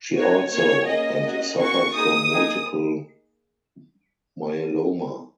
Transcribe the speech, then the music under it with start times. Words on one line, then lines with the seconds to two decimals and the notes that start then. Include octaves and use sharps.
She also and suffered from multiple myeloma.
0.16 A#3 D#4 F#4 C#5
0.52 A#3 F4 G#4 C#5
0.88 A#3 C#4 G#4 D#5
1.24 A#3 C#4 F#4
1.59 A#3 C#4 F#4 C#6
1.95 A#3 D#4 G#4 D#6
2.31 A#3 D#4 G#4